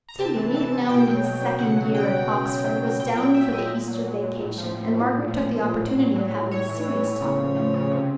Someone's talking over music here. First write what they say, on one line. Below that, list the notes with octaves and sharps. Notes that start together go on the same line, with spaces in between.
Tibby, now in his second year at Oxford, was down for the Easter vacation, and Margaret took the opportunity of having a serious talk with him.
A#5
C3 A5
E3
E3 A5
C3
B2 G5
F#3
F#3
B2
C#3 F#5
F#3
F#3 G5
C#3
B2
F#3
F#3
B2
A#2 G5
F#3 G5
F#3 E5
A#2 D#5
A#2
F#3
F#3
A#2
A2
F3
F3
A2
A#2
F3
F3
A#2
A2
F#3
F#3
A2
A2 C#5
E3
E3
A2
C#3
F3
F3
C#3
C3